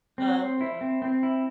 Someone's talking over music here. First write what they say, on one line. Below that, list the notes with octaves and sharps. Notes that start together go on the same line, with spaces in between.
Oh, okay, okay.
C4
C5
E4
C4
C4
E4